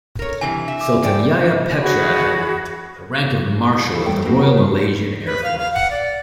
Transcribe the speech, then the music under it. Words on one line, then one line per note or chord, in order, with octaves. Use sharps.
Sultan Yahya Petra held the rank of Marshal of the Royal Malaysian Air Force.
A#4 C#5
G2 C3 E3 G#5
E5
D6
G2 D5 G5
F#4 G#4 B5
E4 A4 C5 F5
E2 G3 A3 A4 G5
A#3 C4 F#4 G4 B4
A#4 F#5
G2
B4
F5
F5
F#5
D5